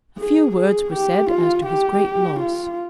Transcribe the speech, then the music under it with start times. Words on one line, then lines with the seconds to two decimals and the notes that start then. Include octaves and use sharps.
A few words were said as to his great loss.
0.18 G#4
0.55 G#4
0.92 G4
1.29 F4
1.65 G4
2.39 F4